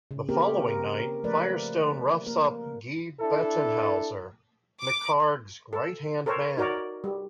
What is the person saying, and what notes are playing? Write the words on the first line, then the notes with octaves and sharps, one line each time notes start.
The following night, Firestone roughs up Guy Bettenhauser, McCarg's right-hand man.
C#3
A#3 C4 C#4 G4 A#4
A#4
F3 A3 A#4 B4 D5
A#3 A#4
D4 E4 A4
D6
A4
A4 A#4 C5 C#5
D#4 F#4 A#4 C#5 D5
G3